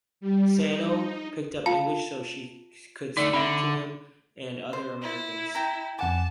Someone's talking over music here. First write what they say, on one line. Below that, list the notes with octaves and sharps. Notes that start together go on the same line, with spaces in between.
Sano picked up English so she could speak to him and other Americans.
G3
D#4
F4 F5 A5
D3 A3 D#4 D5
D3 E5 B5
C5
E4
G5 A#5
F2 F#5 G#5 A5 D6